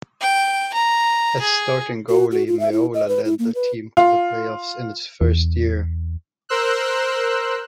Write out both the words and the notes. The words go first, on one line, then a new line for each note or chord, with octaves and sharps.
As starting goalie, Meola led the team to the playoffs in its first year.
G5
A#5
G#4
F#4
F#4
F4
E5
E4
D#5
B4
E4
A#3
B4
F4
E2
A#4 C5 E6 F#6